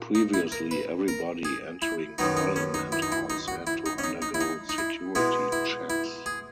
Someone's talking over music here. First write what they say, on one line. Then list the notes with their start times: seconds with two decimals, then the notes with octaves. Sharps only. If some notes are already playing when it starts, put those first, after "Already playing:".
Previously, everybody entering Parliament House had to undergo security checks.
Already playing: A#2
0.15 D#4
0.34 E4
0.52 A#4
0.71 B4
1.08 A#4
1.45 G#4
1.82 E4
2.18 F#2 D#3 F#3 B3 D#4
2.37 D#4
2.56 C#4
2.74 D#4
2.92 E4
3.02 D#4
3.12 E4
3.30 D#4
3.48 F#4
3.67 E4
3.86 D#4
3.98 C#4
4.04 D#4
4.22 D#4
4.34 E4
4.41 D#4
4.69 D#4
4.78 E4
5.15 B2 G#3 B3 E4
5.52 E4
5.90 E4
6.26 G#4